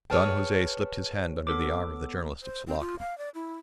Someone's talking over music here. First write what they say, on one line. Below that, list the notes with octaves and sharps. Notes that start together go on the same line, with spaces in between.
Don Jose slipped his hand under the arm of the journalist of Sulaco.
G#4 B4 C#5 G5 A5 F6
B3 A4 D6
C5
C4
F4
F5
D5
E4